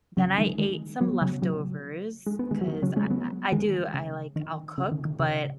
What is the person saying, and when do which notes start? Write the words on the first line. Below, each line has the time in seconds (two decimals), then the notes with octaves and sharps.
then I ate some leftovers 'cause I I I do I, like I'll cook, but
0.17 C#3 F#3
0.38 D#3 G#3
0.58 D#3 G#3
1.01 F#3 B3
1.22 C#3 F#3
1.42 C#3 F#3
2.26 G#3
2.39 B3
2.51 D#3 G#3
2.61 F#3
2.68 D#3
2.82 C#3 F#3
2.96 G#3 C#4
3.10 F#3 B3
3.52 D#3 G#3
3.94 C#3
4.36 D#3
4.78 C#3
4.92 D#3
5.05 D#3
5.20 C#3